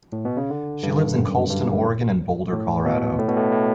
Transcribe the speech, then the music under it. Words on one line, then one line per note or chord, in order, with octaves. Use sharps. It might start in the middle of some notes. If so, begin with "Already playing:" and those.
She lives in Colestin, Oregon and Boulder, Colorado.
A2
B2
C#3
D3
G2
F#2
G2
A2
B2
A2
B2
A2
A2